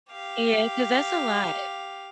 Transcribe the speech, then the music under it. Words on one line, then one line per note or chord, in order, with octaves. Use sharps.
Yeah, 'cause that's a lot.
G4 F5